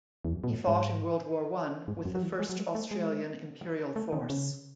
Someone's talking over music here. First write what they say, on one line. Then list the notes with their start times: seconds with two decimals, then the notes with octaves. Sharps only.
He fought in World War One with the First Australian Imperial Force.
0.25 E2
0.33 F#2
0.44 B2
0.50 A2
0.67 G#2
1.88 G#2
2.05 F#2
2.15 F#3
2.23 E3
2.39 G#3
2.49 F#3
2.58 G#3
2.75 A3
2.91 G#3
3.96 A3
4.13 D#3
4.30 C#3